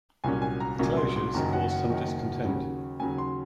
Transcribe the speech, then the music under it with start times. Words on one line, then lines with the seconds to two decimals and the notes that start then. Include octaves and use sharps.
The closures caused some discontent.
0.24 C2 A#2 F#3 C#4 G#5
0.42 G#5
0.60 A#5
0.79 C2 A#2 F#3 C#4 A#5
0.97 C6
1.16 C6
1.34 F#1 F#2 D#3 F#3 A#5
1.53 F#5
1.71 F#5
1.89 F#1 F#2 D#3 F#3
2.45 D#2 C#3 F#3
2.99 D#2 C#3 F#3 G#5
3.18 C6